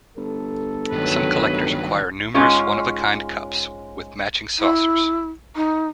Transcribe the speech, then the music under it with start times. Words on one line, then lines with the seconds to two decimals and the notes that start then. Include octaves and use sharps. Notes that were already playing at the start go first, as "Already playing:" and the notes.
Some collectors acquire numerous one-of-a-kind cups with matching saucers.
0.17 G1 A4
0.92 G2 D#3 F#3 B4
2.34 G#2 G#3 C#4 F4 C#5
4.59 E4
5.56 D#4